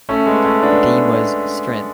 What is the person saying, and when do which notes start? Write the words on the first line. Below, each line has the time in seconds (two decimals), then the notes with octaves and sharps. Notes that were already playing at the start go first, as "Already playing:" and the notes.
The theme was "strength".
0.09 A3 C#4
0.26 G#3 B3
0.45 A3 C#4
0.63 B3 D4